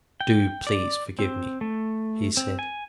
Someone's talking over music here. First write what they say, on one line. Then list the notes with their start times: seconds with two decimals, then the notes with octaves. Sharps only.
"Do please forgive me," he said.
0.20 G5
0.67 D5
1.19 C4
1.61 A3
2.37 C4
2.59 G#5